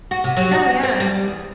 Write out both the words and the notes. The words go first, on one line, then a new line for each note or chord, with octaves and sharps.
Oh, yeah,
F#4
C3
F#3
F#4
C4
G3
E2